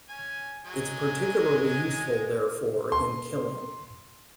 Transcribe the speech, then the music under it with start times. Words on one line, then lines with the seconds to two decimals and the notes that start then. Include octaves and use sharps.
It's particularly useful, therefore, in killing.
0.09 C#4 G#5
0.65 F#3 G#3 G#5
2.92 C6